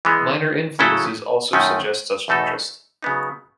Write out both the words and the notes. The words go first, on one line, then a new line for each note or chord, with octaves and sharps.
Minor influences also suggest such an interest.
E3 G#3 B3
C#3 F#3 C#4 E4 A4
F#2 D#3 A3 C#4
E2 B2 A3 D#4 A4
C#3 F#3 B3 D#4